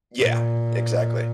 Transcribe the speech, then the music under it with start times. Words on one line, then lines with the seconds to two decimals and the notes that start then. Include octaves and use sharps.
Yeah. Exactly.
0.20 A#2